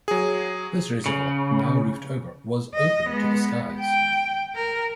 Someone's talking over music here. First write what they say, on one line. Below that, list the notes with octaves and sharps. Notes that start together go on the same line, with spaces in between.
This reservoir, now roofed over, was open to the skies.
F#3 G#4
C#3
D#5
G#3 B3
G5
A#4